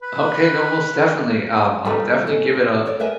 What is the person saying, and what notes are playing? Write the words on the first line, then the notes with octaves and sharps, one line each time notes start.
Okay, no, most definitely. Um, I'll definitely give it, a
B4
G3 D#4 A4 B4 D#5
C#4 A4
F4
A4 C#5 D5
A#4 B4 D#5 E5 G#5